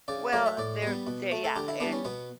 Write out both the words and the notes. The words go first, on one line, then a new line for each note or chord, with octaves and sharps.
Well, they're they yeah, and,
C#3 D5
F#3 A3 D5
E5
A2 D5
G3 B3
B2
A3
A4
D3 G4
E4
G3 B3 D4
C#4
B2 B3